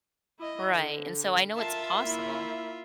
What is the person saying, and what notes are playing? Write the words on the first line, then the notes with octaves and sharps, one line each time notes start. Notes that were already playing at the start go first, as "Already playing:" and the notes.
Right, and so I know it's possible.
E4 D#5
D3
F4 A#4 E5 A5
A#3 E4